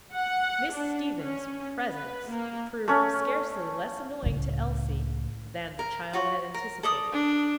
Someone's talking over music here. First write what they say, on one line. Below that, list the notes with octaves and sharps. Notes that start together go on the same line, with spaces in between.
Miss Stevens' presence proved scarcely less annoying to Elsie than the child had anticipated.
F#5
D4
C#4
B4
A#3
A3 C#4
C#2 A2
A#4
F4 F#4 C#5
A#4
A4 D5 D#6
D4